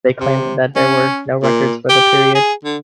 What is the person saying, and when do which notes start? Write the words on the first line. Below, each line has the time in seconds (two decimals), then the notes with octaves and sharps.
They claimed that there were no records for the period.
0.21 C3
0.76 C#4
1.43 A#2
1.89 G4
2.35 G#4
2.65 D3